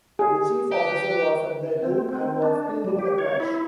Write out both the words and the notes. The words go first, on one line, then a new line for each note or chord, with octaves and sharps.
The chief officer was at the helm, and was killed in the crash.
G4 G#4
G4 B4
C4
C4
D4
G3
G4
C#5
E4